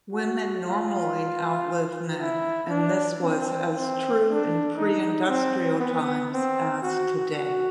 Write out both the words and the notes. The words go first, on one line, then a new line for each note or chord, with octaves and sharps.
Women normally outlive men, and this was as true in pre-industrial times as today.
F#4
F4
E4
D4
C4
C4
D4
D#4
C4
B3
C4
F#4
F#4